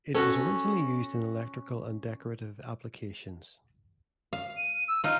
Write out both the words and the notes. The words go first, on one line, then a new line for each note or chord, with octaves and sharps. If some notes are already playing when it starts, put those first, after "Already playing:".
It was originally used in electrical and decorative applications.
C#4 F#4 A4
F5
D#7
E6
D#4 F4 F6